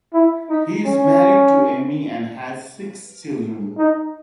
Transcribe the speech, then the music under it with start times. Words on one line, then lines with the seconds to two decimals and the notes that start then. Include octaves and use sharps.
He is married to Amy and has six children.
0.13 E4
0.49 D#4
0.86 C#4
3.77 D#4